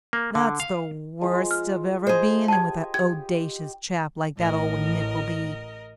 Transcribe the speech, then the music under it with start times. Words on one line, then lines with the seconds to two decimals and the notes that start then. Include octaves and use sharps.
That's the worst of ever being in with a owdacious chap like that old Nickleby.
0.13 A#3
0.35 D3
0.60 F5
1.21 F3 G#3
1.51 F6
2.07 G#4 C5 D#5 B5 C6
2.48 G4 G#5 A5 G#6
2.94 G4 G#6
4.38 A1 A2 A#4 D#5